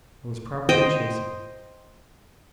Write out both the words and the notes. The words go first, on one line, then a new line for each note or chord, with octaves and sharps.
I was properly chastened.
C5 D#5 G5